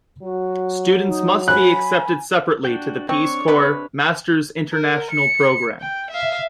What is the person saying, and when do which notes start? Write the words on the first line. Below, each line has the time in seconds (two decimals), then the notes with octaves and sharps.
Students must be accepted separately to the Peace Corps' Masters' International Program.
0.23 F#3 F#4
1.08 D#4
1.48 G#5 B5 F#6
2.65 D4 F#4 G5
3.09 C4 D4 C#5 C#6
3.48 C3 B4 B5
4.73 A#4
5.10 C#7
5.80 G5
6.10 E5 F5